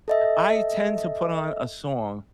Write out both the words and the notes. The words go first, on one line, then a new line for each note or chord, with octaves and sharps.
I tend to put on a song
A4 D#5 E5